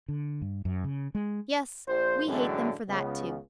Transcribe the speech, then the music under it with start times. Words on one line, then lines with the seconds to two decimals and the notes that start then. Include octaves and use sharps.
Yes, we hate them for that too.
0.08 D3
0.42 G2
0.65 F#2
0.84 C#3
1.15 G#3
1.87 A#1 C5
2.27 F#2 A2 D3 E3 F#3 G#3
2.89 C#2 C#3 B3